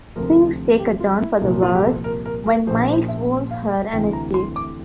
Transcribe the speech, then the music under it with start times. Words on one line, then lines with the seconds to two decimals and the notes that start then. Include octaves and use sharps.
Things take a turn for the worse when Miles wounds her and escapes.
0.16 D2 C3 F3 A#4
0.79 G4
1.00 F4
1.20 E4
1.41 C2 A#2 F3 E4
1.62 F4
1.75 G4
1.84 A4
2.04 A#4
2.26 A#4
2.46 A#4
2.67 A#1 A#2 F3 C5
2.89 C5
3.08 E5
3.51 F5
3.71 G5
3.93 D2 C3 E3 G5
4.13 A#5
4.34 C6
4.56 D6